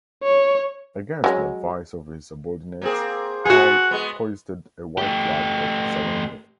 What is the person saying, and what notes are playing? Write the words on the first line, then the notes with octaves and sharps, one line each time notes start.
Against the advice of his subordinates, Hull hoisted a white flag of surrender.
C#5
F#3 G#3 C#4
A#3 C4 G#4
B3 F#4 G#4 F#5
G#3 B3
A3 G4